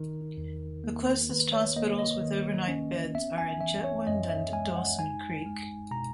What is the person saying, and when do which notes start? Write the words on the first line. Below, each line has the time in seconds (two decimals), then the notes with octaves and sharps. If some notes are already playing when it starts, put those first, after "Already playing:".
The closest hospitals with over-night beds are in Chetwynd and Dawson Creek.
Already playing: D#3 D#4 A#4
0.37 E2
0.84 A#3
1.30 D#3 B4
1.53 C#5
1.76 A#3 D#5
1.99 D#5
2.22 D#3
2.68 C#4
3.15 B3 E5
3.38 G#5
3.61 E3 E5
3.84 C#5
4.07 F#2 D#5
4.30 E5
4.53 G#3 G#5
4.76 F#5
4.99 D#4 G#5
5.46 G#3
5.91 B2 A#5